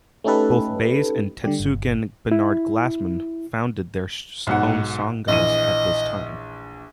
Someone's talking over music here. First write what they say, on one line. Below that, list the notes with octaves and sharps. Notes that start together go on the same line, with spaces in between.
Both Bays and Tetsugen Bernard Glassman founded their own sanghas at this time.
A3 C#4 D#4 G4 A4 B4
D3 G3 G4
G1
E4
B1 G#2 F#5
A#1 E3 D#5 D#7